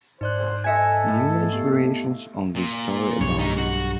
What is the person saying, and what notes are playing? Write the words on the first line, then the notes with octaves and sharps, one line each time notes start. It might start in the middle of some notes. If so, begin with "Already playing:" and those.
Numerous variations on this story abound.
G#2 D#4 C5 D5 F#6
A4 D#5 E5 G#5 G#6 C#7
A2
B3 G4
A#2
B1 G2 C#5
G#3 D#4
F#4